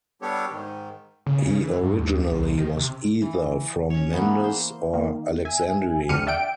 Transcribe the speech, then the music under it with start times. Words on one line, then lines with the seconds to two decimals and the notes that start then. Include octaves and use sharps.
He originally was either from Mendes or Alexandria.
0.22 G3 B3 D4 G4 A4 C#5
0.51 G#2 D#3
1.26 C#3
1.49 C#3
1.63 E3
1.83 G2
1.99 D#2
2.32 C2
2.58 D#3
2.77 C3
3.22 E3
3.90 C#4 C#5
4.13 E3 A#3 B3
4.44 C5
4.94 D#3 A#3
5.45 E5 G#5
6.09 F2 D3 G4 F6 C#7 D#7
6.27 D5 E5 F#5 G5 D7